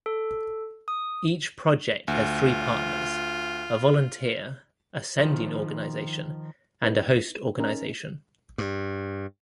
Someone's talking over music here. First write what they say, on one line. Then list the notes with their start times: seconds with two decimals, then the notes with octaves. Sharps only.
Each project has three partners, a volunteer, a sending organisation and a host organisation.
0.06 A4
0.88 D#6
2.08 D2 F4
5.18 D#3 F3
6.82 C4 D#4 E4 B4
7.58 C#4 D#4 A#4
8.58 G2